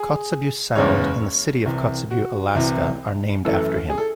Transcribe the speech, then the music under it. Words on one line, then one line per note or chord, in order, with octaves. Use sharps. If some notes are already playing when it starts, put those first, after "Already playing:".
Kotzebue Sound and the city of Kotzebue, Alaska are named after him.
Already playing: G#4
F#1 E2 C#3 G#3 C#5
C2 C3 E3
F#4
C2 C3 E3
F#2 E3 A3 A4
G#4
A4